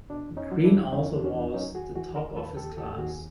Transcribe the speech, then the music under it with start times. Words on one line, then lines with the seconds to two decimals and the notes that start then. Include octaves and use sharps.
Green also was the top of his class.
0.10 B2 D4
0.31 E2
0.37 C#4 D#4
0.51 F#3
0.64 D4 E4
0.71 E2
0.92 E2 C#4 D#4
1.13 E2 D4
1.24 C#4
1.34 E2 D4
1.53 F#3 C#4 D#4
1.74 D#2 F#4 G#4
1.95 E3 F#4 G#4
2.15 D#2 G#4 A#4
2.36 D#2 A4 B4
2.56 D#2 G4 A4
2.77 D#2 G4 A4
2.97 D#2 F#4 G#4
3.08 G#4